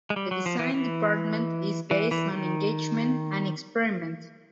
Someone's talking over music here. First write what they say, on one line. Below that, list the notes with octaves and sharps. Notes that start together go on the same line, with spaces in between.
The design department is based on engagement and experiment.
G#3
G3
F#3
F3
E3
E3
E3
E3
D#3